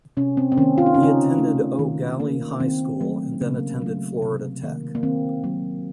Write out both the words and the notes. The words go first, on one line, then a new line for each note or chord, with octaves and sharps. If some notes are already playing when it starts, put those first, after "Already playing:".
He attended Eau Gallie High School and then attended Florida Tech.
C3 C#4
C4
C4
D#3 A#3 C#4
F4
D#4
C#4
C#3 D#4
A3
D#3
A#3
D#3 C4
F#3 A3
C#3 A#3
F#3 A3
C3
D#3 A#3
A#3
D#3 C4
F#3 A#3